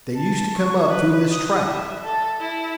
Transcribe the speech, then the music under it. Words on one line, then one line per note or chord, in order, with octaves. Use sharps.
They used to come up through this trap.
A5
C#6
B4
D#6
E5
A4
E4